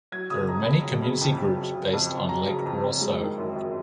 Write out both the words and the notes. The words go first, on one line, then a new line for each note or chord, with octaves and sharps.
There are many community groups based on Lake Rosseau.
F#3 G#6
C#3 D#6
F2 A#5
F2 B5
F#3
C#3
F2
F2
F#3
C#3
F2
F2
F#3 A#5
C#3
F2
F2
G#3
D#3
F#2
F#2